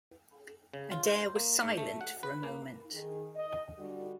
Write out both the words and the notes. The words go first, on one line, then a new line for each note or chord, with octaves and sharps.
Adair was silent for a moment.
C#3
F4
C5
A#3
G#2
A3
F#5
B4
A#3
D#3 G#4
D#5
D3 G3 F#4